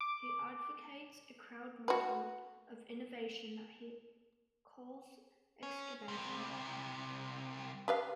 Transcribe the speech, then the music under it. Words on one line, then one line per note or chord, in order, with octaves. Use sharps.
He advocates a crowd model of innovation that he calls Excubation.
D6
F#4 B4
C#4
C2 C3
G4 B4 F5